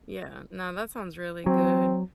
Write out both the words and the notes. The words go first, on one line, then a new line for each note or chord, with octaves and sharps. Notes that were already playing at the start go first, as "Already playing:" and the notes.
Yeah, no, that sounds really good.
F#3 C4